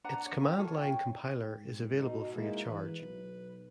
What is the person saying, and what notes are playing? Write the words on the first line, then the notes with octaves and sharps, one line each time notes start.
Its command-line compiler is available free of charge.
D4 B4 F#5 A#5
C#5
G5
F4 A4 A#4 C#5
C#5 G5
G#2
B2 D#4
G#3 A#3 D#4 E4
E3 B4
B1